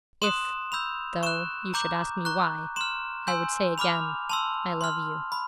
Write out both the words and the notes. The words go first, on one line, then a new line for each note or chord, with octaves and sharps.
If, though, you should ask me why, I would say again, I love you.
C6 D#6 F#6 E7
B5 E6 G6 F7
C#6 F#6 E7
A#5 D6 G6
A#5 C#6 F#6
C6 F6 E7
G#5 C6 E6 G6
B5 D6 F6 F7
A5 C6 E6 F7
C6 F6
B5